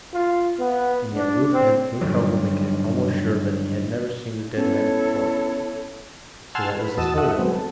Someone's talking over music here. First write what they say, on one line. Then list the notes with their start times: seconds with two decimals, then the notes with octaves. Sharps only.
And yet Rufe had no trouble making it almost sure that he had never seen the dead man before--so what was his motive?
0.13 F4
0.59 B3
1.14 D4
1.53 C4
2.01 G2 D3 D#3 F#3
4.57 B3 C#4 E4 A4 C#5
6.55 F#5 G#5 A5 C6 E6 F6
6.79 B4
6.98 E2 F#4 D#5 A5 E6
7.18 F#4 A4 D#5 E5 F#5
7.38 F#3 G#3 B3 C4
7.55 A4